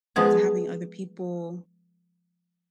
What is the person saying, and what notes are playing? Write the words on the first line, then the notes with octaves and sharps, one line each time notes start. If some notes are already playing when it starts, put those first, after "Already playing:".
to having other people
F3 G#3 B3 G#4